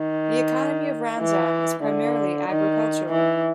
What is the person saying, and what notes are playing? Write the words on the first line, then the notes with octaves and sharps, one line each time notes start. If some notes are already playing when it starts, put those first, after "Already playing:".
The economy of Ranzan is primarily agricultural.
Already playing: D#3
E3
D3
D#3
E3